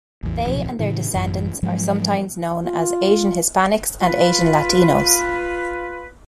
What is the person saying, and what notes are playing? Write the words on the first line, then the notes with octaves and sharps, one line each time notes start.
They and their descendants are sometimes known as Asian Hispanics and Asian Latinos.
A1 E2
D1 B1 C3 F3
A2 C#3 E3
A1 F#2 E3
G#2 F3 F#3 G#3
F4
F4 B4